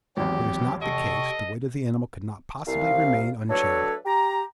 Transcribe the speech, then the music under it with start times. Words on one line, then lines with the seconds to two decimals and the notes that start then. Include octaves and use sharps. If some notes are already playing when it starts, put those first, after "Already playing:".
Were this not the case, the weight of the animal could not possibly remain unchanged.
0.17 G#1 E2 F#3 C4 G4
0.82 C3 A4 D#5 G5 C#6
2.67 C2 F5
3.50 F#3 A3 D4 A4 B4 C#5
4.06 G4 A#5